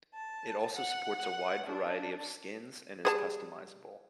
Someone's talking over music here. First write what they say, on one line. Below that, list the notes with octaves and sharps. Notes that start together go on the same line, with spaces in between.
It also supports a wide variety of skins and is customizable.
A5
F#5
D4
G3 G#4 C5 A5